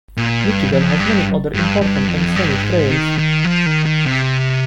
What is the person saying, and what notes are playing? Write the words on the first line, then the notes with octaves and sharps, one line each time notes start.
Michigan has many other important and scenic trails.
A#2
G2
F2
G2
G2
G2
F2
G2
G#2
D#3
D#3
F3
D#3
D#3
C3